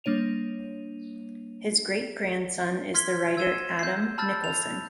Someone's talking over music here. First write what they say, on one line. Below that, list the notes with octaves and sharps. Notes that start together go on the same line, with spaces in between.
His great-grandson is the writer Adam Nicolson.
G3 A#3 D4 C#5 D#7 F7
C6 F6 G#6 B6 G7
E6 G#6 D#7 E7 G7
G6 C7
A5 B5 E6 F6 G6 A6
F7